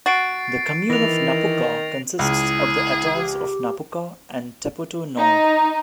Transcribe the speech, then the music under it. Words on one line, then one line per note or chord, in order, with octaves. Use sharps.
The commune of Napuka consists of the atolls of Napuka and Tepoto Nord.
F#4 A6 C7 D7
D#3 E3 A#6 F7
C#2 E4 G#4
G4
D#4